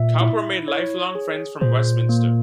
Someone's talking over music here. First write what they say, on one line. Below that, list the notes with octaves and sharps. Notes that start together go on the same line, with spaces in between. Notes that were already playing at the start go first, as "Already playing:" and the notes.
Cowper made lifelong friends from Westminster.
Already playing: A#2 E5
E4
C#5
G#4
A#2 C5
A#3